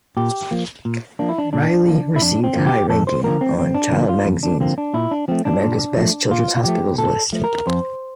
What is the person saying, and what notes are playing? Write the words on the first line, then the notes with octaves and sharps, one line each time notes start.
Riley received high ranking on "Child" magazine's America's best children's hospitals list.
A#2 G4
F3 A#3
A#2
F3 A#3 D4
E4
D4
A#2 D4
F3 A#3
E4
F2 D4
C4
D3 F3 A#3
G4
F2 A4
C5
D3 F3 A#3 A#4
C4
F2 C4
D4
D3 F3 A#3
F4
F2
D4
D3 F3 A#3 C4
D4
A#2 E4
D4
F3 A3 C4
D4
A#2
F3 A3
A#2 F4
F4
F3 A3 G4
A#2 A4
F3 A3
A#4
F2 C5